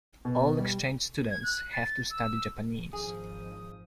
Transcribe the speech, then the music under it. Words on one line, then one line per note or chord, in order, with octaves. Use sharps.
All exchange students have to study Japanese.
B2
G3
G#6
F#6
A6
E6
G#1 F3 G#4 D#6